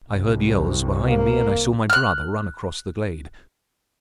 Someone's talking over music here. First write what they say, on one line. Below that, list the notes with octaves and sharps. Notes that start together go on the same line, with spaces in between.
I heard yells behind me, and I saw my brother run across the glade.
C2
A#3
F6 F#6